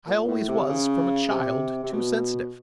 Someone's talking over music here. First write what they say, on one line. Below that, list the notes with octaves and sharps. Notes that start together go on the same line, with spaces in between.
I always was, from a child, too sensitive.'
A#2
A2
C3
C#3
C3
C3
B2